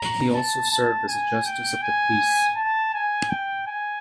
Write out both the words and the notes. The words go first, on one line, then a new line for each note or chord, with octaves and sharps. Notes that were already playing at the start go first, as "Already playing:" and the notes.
He also served as a justice of the peace.
Already playing: A#5
A5
A5
G#5
G5
G#5
A5
G#5
G5
G#5